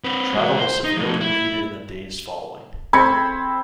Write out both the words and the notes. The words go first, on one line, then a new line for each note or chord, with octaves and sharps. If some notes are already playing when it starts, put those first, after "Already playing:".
Travel was severely impeded in the days following.
C4 B4
G#3 F#4
C5
D#4
F3 A3
E4
C4 B5 G#6 C#7